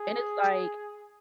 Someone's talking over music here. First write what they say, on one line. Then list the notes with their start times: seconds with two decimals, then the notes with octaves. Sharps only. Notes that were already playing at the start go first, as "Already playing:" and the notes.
and it's, like,
Already playing: G#4